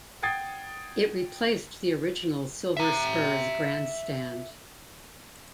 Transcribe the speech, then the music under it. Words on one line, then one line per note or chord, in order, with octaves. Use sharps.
It replaced the original Silver Spurs grand stand.
F#5 G5 D#6 G#6 A6 C7
E5 A#5